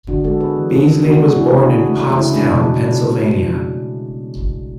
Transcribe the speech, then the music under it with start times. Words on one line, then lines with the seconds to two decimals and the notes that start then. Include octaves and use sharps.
Beasley was born in Pottstown, Pennsylvania.
0.08 D3 D4 F#4
0.24 G#3 F#4 A4
0.40 B3 G#4 B4
0.56 E3
0.73 C#3
0.88 C#3
1.04 B3 D4 F#4
1.20 G#3
1.29 D4
1.36 A3 C#4 E4
1.46 E4 G#4
1.52 A3
1.58 D4 F#4
1.68 C#3
1.84 A3
2.00 A3
2.16 C#3 C#4 E4
2.32 G#3 D4
2.43 D4
2.48 B2